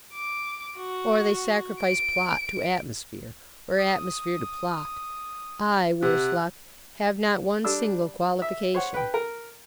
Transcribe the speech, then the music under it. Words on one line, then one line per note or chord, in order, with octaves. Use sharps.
Or they sacrifice plot to atmosphere, or atmosphere to plot. I, worse luck, have not one single qualification.
D6
F#4
D7
D#6
C3 F#5
G3 D4 E6
E5
C5 C#5 F#5
B4 G5
A#4